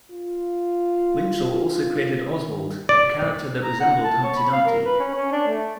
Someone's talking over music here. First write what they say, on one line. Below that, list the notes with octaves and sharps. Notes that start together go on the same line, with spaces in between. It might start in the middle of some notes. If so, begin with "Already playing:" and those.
Winchell also created Ozwald, a character that resembled Humpty Dumpty.
F4
F4
D#3
D5
A#5
F#5
A5
C#5
B5
F5
A#4
B4
C#4
C#4
D4
A3